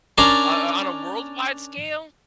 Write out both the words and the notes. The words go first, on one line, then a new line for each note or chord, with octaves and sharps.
Wha o on a worldwide scale,
C#4 D4 A#4 A5 C6